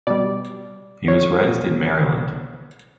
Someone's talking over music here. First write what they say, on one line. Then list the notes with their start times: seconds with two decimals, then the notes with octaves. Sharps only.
He was raised in Maryland.
0.07 B2 G3 D5
1.08 C#5